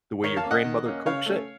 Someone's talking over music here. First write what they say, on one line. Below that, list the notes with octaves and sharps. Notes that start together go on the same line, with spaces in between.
the way your grandmother cooks it?
D#3 A#4 C#5
F5 A5
A#3 C#4
D#5 F#5
D#3
A#3 C#4
C#3 C#5 F5
A3 C#4